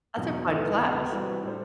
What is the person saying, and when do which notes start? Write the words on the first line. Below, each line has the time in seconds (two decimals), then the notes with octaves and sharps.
That's a fun class.
0.17 E2 B2 F#3
0.48 D2 D3 A3 E4 B4
0.80 D2 D3 F#3 B3
1.11 E3 G3 C4 F#4 B4
1.43 A2 G3 D4 A4 C5